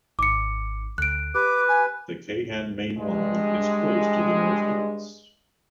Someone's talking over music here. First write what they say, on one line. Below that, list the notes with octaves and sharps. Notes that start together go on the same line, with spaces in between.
The Keihan Main Line is close to the north gates.
G#1 D6 C#7
D2 F#6 D7
G4 B4 D6
G#5
G2 G#3